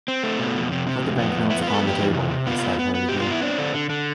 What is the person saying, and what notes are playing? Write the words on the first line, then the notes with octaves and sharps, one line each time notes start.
"Put the banknotes upon the table," he said hurriedly.
C4
A3
B2
F2
C3
C3
F2
B3
F2
B3 E4
F4
B3 B4
A4
F2 G4
E3
C3
C3
B3 F4
B3
B3
B3
B2 G4
F4
B3 E4
C4 D4
D3
D3
D3